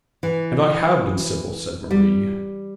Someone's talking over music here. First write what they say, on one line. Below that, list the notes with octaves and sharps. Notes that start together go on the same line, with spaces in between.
'And I have been civil,' said Marie.
E3
G3